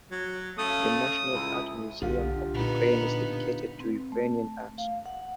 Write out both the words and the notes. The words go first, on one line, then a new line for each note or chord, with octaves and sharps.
The National Art Museum of Ukraine is dedicated to Ukrainian art.
F#3
A3 C#4 F5 D#6
C#2 A2 E4
B1 D3 F4 G4
A#2 B3 D#4
C4
A3
F5
F#5